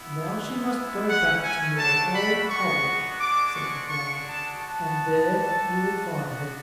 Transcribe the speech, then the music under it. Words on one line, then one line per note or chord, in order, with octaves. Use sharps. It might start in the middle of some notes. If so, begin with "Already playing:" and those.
"Now she must go back to her old hovel," said the flounder; "and there you will find her."
Already playing: B3 E4
G#3 B3 E4
A3 C#4 E4 F#5
G#5
A3 D4 F#4 A5
B5
G#3 B3 D4 F#4 C#6
G#3 D4 F#4 D6
C#6
G#3 D4 F#4 C#6
A5
B3 F#4 A5
A3 D4 F#4
B3 D4 F#4